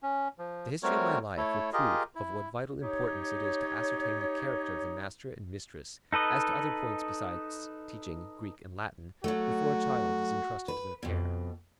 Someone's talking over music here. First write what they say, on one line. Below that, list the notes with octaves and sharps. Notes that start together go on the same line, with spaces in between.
The history of my life will prove of what vital importance it is to ascertain the character of the master and mistress as to other points besides teaching Greek and Latin, before a child is intrusted to their care.
C#4
F3
G3 A3 C4 F#4 A#4 C#5
A3 E4 A4 C#5
F4 G4 G#4 A#4 D#5
E4
D#4 G4 C#5
D#4 A4 B4 D#5
F#3 A3 F#4
B4
F2 B2